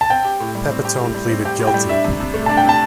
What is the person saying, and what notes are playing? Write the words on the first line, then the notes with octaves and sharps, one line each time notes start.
Pepitone pleaded guilty.
A5
C4 G5
G4
A2
G3
C4
G4
A2
G3
C4
G4 G5
A2
G5
G3
D4 E5
C3
C3
A3
D4 A5
G5
C3 A5